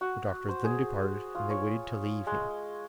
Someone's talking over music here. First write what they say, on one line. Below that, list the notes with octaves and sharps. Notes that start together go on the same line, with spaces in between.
The doctor then departed, and they waited till the evening.
F#4
C5
G#4
F4
C#5
G#3